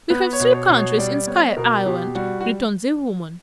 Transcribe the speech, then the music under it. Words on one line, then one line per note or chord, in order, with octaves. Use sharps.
"We have three countries in Sky Island," returned the woman.
B3 B4
C#5
B2
C#5
B2
C#5
G3 D5
B3 C#5
B2 A#4
B2 G4
G3 F#4
F#4